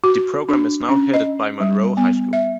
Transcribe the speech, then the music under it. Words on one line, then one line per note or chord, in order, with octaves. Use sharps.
The program is now headed by Monroe High School.
F#4
D4
C#4
D#5
G3
B3
E5